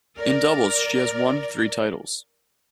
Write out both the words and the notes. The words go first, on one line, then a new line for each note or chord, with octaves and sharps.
In doubles, she has won three titles.
A#4 D5